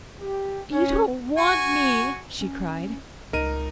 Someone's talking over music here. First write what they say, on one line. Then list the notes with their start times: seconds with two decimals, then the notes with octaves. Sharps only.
"You don't want me!" she cried.
0.20 G4
0.72 C#4
1.37 F#4 G#5 C#6
2.41 C#4
3.33 C#2 D#4 A#4 D#7